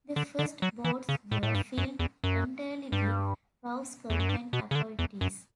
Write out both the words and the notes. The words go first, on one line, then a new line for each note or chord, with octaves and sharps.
The first boards were filled entirely with Rouse Company appointees.
D3
D3
F#3
E3
C#3
A2
A2
G2
F#2
E2
F#2
G2
E2
F#2
G2
B2
C#3
D3
E2
F#2